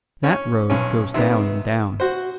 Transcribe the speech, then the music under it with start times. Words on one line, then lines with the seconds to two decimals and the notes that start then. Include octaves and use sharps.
That road goes down and down.
0.24 C#4
0.70 B1 C#4
1.14 C3 D#3 B3
2.00 F#4 C5